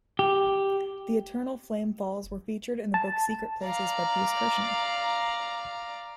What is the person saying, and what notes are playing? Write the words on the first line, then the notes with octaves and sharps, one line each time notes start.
The Eternal Flame Falls were featured in the book "Secret Places" by Bruce Kershner.
G4
A5
D5 F5 A#5